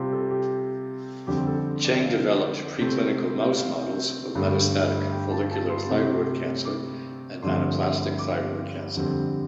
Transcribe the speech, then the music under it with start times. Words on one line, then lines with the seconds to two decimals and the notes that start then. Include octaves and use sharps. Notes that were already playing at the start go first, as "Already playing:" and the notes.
Cheng developed preclinical mouse models of metastatic follicular thyroid cancer and anaplastic thyroid cancer.
Already playing: C3 G3 C4 F4 G4
0.13 A4
0.31 G4
1.27 F2 D3 G3 C4 G4
1.47 A4
1.85 D5
2.04 F5
2.81 C3 A3 C4
3.59 F5
4.35 G2 D3 A3
5.12 G5
5.31 A5
5.51 A5
5.70 C6
5.89 C3 A3 C4
6.65 D6
7.42 G2 D3 F3 A3 C4 C6
8.19 D6
8.97 F2 D3 G3 C4